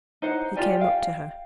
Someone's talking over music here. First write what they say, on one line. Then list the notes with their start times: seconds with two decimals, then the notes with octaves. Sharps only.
He came up to her.
0.22 D#4 C5 F#5
0.56 F4 G4 D5 G#5
0.81 F5 G5